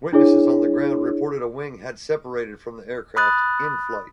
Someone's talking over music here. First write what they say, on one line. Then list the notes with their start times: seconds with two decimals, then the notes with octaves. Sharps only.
Witnesses on the ground reported a wing had separated from the aircraft in flight.
0.12 D4 E4 G#4 C#5
3.17 B5 D#6 F#6 A6